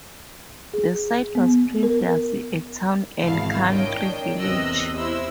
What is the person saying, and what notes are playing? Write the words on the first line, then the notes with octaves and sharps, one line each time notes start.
The site was previously a Town and Country Village.
G#4
B3
A#4
G#1 E2 E4 F5 A5
D4 A#4 C#5 D#5 G5
E2 C3 D#5 E6 F#6
E4 C5 E6